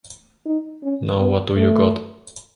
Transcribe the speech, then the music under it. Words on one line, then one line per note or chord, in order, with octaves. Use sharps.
Now what do you got?
D#4
C#4
B3
A3